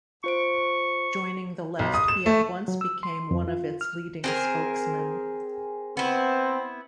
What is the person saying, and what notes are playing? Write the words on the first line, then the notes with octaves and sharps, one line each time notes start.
Joining the Left, he at once became one of its leading spokesmen.
F4 C5 C#6 D7
B1
D#6
E7
A3
F#3
E6
C6
F2
F4
F6
C4 G#4 A#4
B3 C4 E4